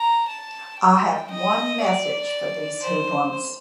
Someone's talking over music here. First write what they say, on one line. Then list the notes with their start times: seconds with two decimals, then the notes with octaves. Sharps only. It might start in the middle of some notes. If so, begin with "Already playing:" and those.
I have one message for these hoodlums.
Already playing: A#5
0.28 A5
0.79 G5
1.30 D#5
1.80 D5
2.81 C5